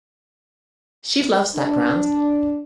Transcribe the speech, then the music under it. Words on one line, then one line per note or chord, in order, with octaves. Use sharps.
She loves that ground.
D4